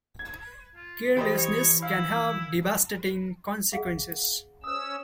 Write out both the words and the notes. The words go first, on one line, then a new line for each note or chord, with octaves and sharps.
Carelessness can have devastating consequences.
G#6
F4
E3 G4 C5 D#5
C#5
E4 F5
G#4 F5 F#5
C#4 C5 D#6 E6